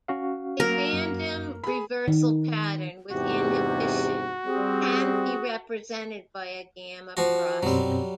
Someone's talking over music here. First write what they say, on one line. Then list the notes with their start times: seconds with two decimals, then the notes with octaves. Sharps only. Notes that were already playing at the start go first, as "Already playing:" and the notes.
A random reversal pattern with inhibition can be represented by a gamma process.
0.08 C#4 F#4 F5
0.60 F#3 A#3 A#4
0.93 F#2
1.64 G#4 B5
2.08 D#3
3.11 E2 G#2 C3 F#4 G4
4.45 G3 C4 G#4
7.17 F3 F#4
7.63 F#2 B2 F#3 G3 C4